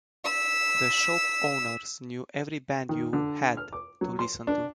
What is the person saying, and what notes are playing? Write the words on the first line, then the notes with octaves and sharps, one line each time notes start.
The shop owners knew every band you "had" to listen to.
E6 B6
D#3
D3
F6
D6
F#3
C6
D4